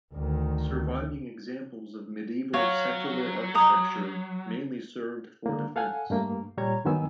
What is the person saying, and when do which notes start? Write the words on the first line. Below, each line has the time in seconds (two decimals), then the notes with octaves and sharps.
Surviving examples of medieval secular architecture mainly served for defense.
0.14 D2 D#3
2.54 F#3 C#5 F5
3.55 A#5 D#6
5.46 D3 A#3
5.76 A4 F5 F#5 G#5
6.10 G2 A3 A#3
6.57 A#2 G3 C#5 A#5 G#6
6.85 G2 D#3 F#3 B3 G#5 E6